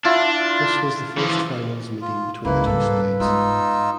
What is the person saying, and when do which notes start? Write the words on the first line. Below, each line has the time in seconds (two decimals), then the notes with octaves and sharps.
This was the first finals meeting between the two sides.
0.05 D4 E4 F4
1.18 E3 F3
2.01 F4
2.45 C#2 F#3 A#3 E4 B4
2.66 G#2 G3 A#3 B3 A4
3.20 G#3 B3 D#4 F4 E6